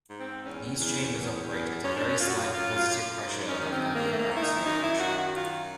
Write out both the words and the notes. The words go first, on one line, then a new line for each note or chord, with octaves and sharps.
These chambers operate at very slight positive pressure above ambient atmospheric pressure.
G#2
C4
E2 C#4
E2
E2
E2
F#2 C#4
D4
C#4
F#2 F4
F#4
F4
F#2 F4
F4
F#2
G#2
C#4
D#3 C#4
C4
G#2 A#3
A3
A#3
D#3 E4
D#4
E4
F#2 D#4
E4
D#3 F#4
F#4
F#2 F4